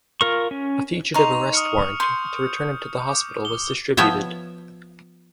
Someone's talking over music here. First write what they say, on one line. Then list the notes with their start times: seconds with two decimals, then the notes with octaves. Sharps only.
A fugitive arrest warrant to return him to the hospital was distributed.
0.21 F4 A#4 C#6
0.51 C#4
1.14 D#4 C6 C#6 F7
1.53 D#6 F6 C#7
2.00 C6 G6 C#7
3.08 D6
3.45 G7
3.97 F3 B3 E4 C#5 E5 G5